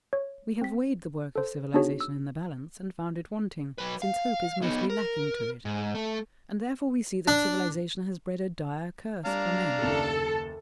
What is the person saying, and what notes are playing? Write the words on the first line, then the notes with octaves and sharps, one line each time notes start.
We have weighed the work of civilization in the balance and found it wanting, since hope is mostly lacking to it, and therefore we see that civilization has bred a dire curse for men.
C#5
C4 B6
A4 C5
B3 D4 D#4 F#4 G#4 C#5
E6
F#3 B4
F5
B3 D#4
A#4
G#2
A3
D4
G3 D4 F5 A#5
F#1 D#2 C#3 A4